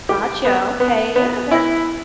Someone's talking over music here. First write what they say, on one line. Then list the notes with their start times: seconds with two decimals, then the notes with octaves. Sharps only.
Gotcha. Okay, yeah! That
0.09 G4
0.45 B3
0.80 B3
1.16 B3
1.51 E4